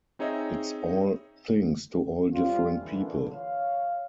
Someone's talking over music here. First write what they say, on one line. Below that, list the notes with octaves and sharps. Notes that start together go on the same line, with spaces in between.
It's all things to all different people.
C4 D#4 G#4 C#5 D#5 E5
G3 C4 C#4 F4
A#2 D3 E3
C#5 F5